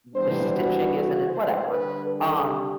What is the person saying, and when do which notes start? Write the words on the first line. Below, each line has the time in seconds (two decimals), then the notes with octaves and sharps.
the stitching isn't it whatever, um,
0.15 E3 G3 B3 D4 C5
0.53 F#4
0.90 F#4
1.28 C5
1.66 D3 G3 D4 B4
2.05 A4
2.42 G4